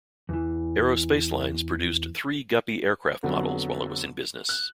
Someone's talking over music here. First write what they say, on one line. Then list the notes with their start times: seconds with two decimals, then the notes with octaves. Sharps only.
Aero Spacelines produced three Guppy aircraft models while it was in business.
0.29 E2 E3
3.23 F2 D3 F#3 B3
4.49 F#6